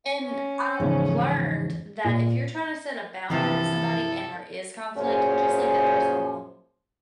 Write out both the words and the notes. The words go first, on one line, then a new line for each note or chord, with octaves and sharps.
and I've learned that if you're trying to set a boundary with somebody and there is conflict, just leave that person alone.
C#4
E2 G#2 C#3 F3
A#2
G2 C3 E3 F3 E4 A4
F#2 A#2 C#4 G#4 C5